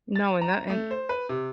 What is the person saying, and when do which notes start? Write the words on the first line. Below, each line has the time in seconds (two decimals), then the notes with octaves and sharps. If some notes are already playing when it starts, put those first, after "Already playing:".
No, and that, and
0.16 A6
0.41 A#5
0.70 A3
0.91 C5
1.09 B4
1.29 C3